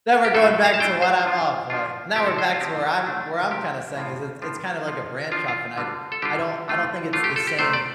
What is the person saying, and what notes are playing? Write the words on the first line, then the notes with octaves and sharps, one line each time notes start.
then we're going back to what I've Oh, boy, now we're back to where I'm where I'm kinda saying is it's it's kind of like a branch off, and I d I don't I don't think it's the same,
G4
A2 A3 D4 F4 A4
F5
A5
A2 A3 D4 F4 G5
C5
F3 D4 F4
F3 D4 F4
A2 F3 C4 G4
A4
C5
F4
A2 F3 C4 G4
C3 A3 D4
C3 A3 D4 G4
A2 F3 D4 F4
A2 F3 D4 F4
F3 D4 F4
F3 D4 F4
F4
D3 G3 F4
A4
D3 G3 F4 G4
D3 A3 F4
D3 A3 F4
G4
A4
G4
C3 A3 D4 F4 C5
D5